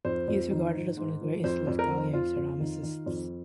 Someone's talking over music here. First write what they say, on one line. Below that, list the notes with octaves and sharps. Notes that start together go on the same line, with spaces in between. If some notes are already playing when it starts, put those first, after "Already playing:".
He is regarded as one of the greatest Latgalian ceramicists.
F2 C5
F2
D#3
G#2
G#2
F3
F2 C5
F2
A#4
F3
F2 F4
F2
D#3
D#3
F2